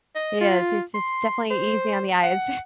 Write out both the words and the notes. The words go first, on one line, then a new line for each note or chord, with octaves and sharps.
He is, he's he's definitely easy on the eyes.
D#5
F4
C6
C5
F#5